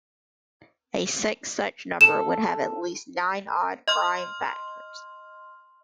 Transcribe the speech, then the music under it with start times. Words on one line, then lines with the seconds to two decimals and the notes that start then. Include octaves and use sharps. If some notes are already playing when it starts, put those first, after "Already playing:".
A sixth such number would have at least nine odd prime factors.
2.01 A4 E7
3.88 D#5 C6 F6